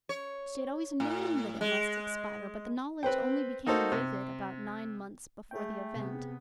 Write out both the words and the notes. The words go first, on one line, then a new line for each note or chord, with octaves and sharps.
She had always known that it must expire, but the knowledge only became vivid about nine months before the event.
C#5
A2
G#3
C4 B4 C5 G5
A#3 D#4 F#4 A4 C5
C3
A3 G#4 G5
C3 B3